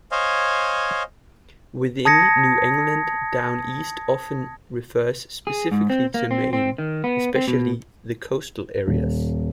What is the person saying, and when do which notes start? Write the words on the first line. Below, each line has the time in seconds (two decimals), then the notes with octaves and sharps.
Within New England, "Down East" often refers specifically to Maine, especially the coastal areas.
0.12 C5 C#5 D#5 F5 G#5
2.05 A5 D#6 G#6 A#6 C#7
5.47 G#4
5.72 G#2
5.90 C4
6.14 A#3
6.31 C4
6.53 C4
6.78 D#3
7.04 B3
7.35 C4
7.48 B2
8.87 D#1